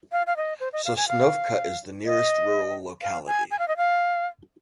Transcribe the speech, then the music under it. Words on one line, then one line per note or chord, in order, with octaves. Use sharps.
Sosnovka is the nearest rural locality.
F5
F5
D#5
C5
D#5
F5
G#5
F5
D#5
F5
G#5
G#5
F5
D#5
F5